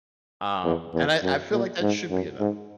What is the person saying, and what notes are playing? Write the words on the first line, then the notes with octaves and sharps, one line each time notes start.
Um, and I I feel like that should be enough.
E2
E2
F#2
A#2
G#2
F#2
G#2